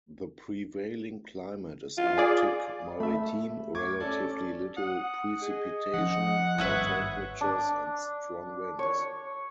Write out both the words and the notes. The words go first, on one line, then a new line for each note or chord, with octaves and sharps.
The prevailing climate is arctic-maritime; relatively little precipitation, low temperatures, and strong winds.
F4
G#4 D5
A3 E5 B5
C#6 D6 G#6
C#4 A4 D5
F#5 D#6
G#4 D#5
F3 C#4 F#5
G#1 G2 B4 C#5 E5 D#6
D4
C#5